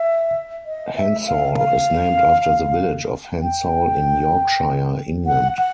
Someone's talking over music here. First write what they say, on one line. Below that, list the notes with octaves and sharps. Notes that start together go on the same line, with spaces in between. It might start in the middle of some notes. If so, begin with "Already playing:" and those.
Hensall is named after the village of Hensall in Yorkshire, England.
Already playing: E5
D#5
E5
F5
F5
G5
F#5
F#5